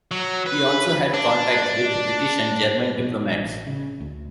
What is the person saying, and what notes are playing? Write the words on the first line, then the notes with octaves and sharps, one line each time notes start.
He also had contact with British and German diplomats.
F#3
B4
D4
B2
A1
C#3
D2